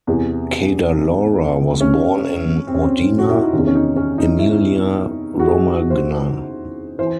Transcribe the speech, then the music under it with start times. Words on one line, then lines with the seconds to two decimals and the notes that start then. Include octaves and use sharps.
Cadalora was born in Modena, Emilia Romagna.
0.07 E2 C3 E3
1.81 C#4
2.67 C4
2.74 C#4
2.82 C4
3.18 F#4
3.29 E4
3.42 D#4
3.53 E2 C3 D#3 C#4
3.67 C#4
3.75 D#4
3.96 C#4
4.18 D#4
4.39 E4
5.40 F#4
5.47 G#4
5.90 C5
6.99 E3 C5